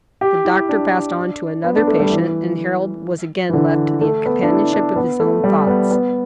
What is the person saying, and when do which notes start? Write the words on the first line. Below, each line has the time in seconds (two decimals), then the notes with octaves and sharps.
The doctor passed on to another patient, and Harold was again left to the companionship of his own thoughts.
0.21 G4
0.45 E4
0.69 D4
1.64 B3
1.76 D4
1.87 A3
2.00 G3
2.11 E3
3.49 E3
3.53 D3
4.01 A3
4.25 B3
4.43 D4
4.49 E4
4.73 D4
4.96 B3
5.20 A3
5.44 G3
5.67 B3
5.91 B3